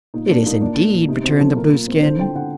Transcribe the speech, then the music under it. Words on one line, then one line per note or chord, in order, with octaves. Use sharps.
"It is, indeed," returned the Blueskin.
A#2 D#4
A#2 D4
A#3 D#4
A#2 D4
A#2
A#2
C3 D#4
C4 F#4
F#3 A4
A#2 A#4
A#2
C4
D3 C5
D3 G5
D3 F#5